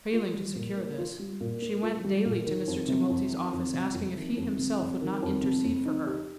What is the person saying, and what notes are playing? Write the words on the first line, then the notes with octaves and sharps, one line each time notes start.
Failing to secure this, she went daily to Mr. Tumulty's office asking if he himself would not intercede for her.
F4
G3
A#2
A#3
F4
G3
A#2
A#3
F4
G3
A#2
D#3
F2
C3
F2
D#3
F2
C3
F2
D#3
F2
C3
F2
D#3
F2
C3
F2
D#4
G4